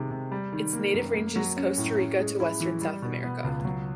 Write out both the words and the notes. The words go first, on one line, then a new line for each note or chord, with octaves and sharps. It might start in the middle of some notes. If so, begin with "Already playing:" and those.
Its native range is Costa Rica to Western South America.
Already playing: C3 D#3 G#3
C3
G3
D#3
A#3
F#2
A#3
F#3
C#4
A2
C#4
G#3
E4
E3
G3
B2
B3
C#2
F#3